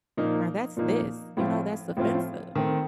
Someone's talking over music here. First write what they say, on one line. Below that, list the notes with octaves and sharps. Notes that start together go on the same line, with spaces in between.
or "That's this," you know, "That's offensive,"
A#2 F3 A#3 D#4
A#2 F3 A#3 D#4
A2 F3 C4 F4
A2 F3 C4 F4
D#3 A3 C4